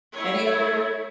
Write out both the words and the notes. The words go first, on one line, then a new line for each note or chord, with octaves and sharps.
Any other
E4 C#5